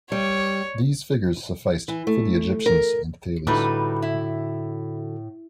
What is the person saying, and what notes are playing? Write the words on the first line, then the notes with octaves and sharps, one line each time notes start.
These figures sufficed for the Egyptians and Thales.
G3 C#5
E3
A3
A#4
A2 D3 G3 D#4 F#4 A4 B4
E4